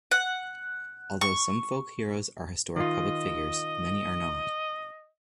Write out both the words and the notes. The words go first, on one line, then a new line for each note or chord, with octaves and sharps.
Although some folk heroes are historical public figures, many are not.
F#5
C#6
D#3 F4 D#5